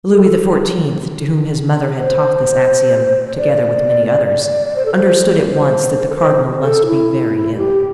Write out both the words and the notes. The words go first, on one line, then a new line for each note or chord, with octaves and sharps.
Louis XIV., to whom his mother had taught this axiom, together with many others, understood at once that the cardinal must be very ill.
A4
C5
D5
C5
A4
C5
D5
C5
A4
C5
A4
E4
G4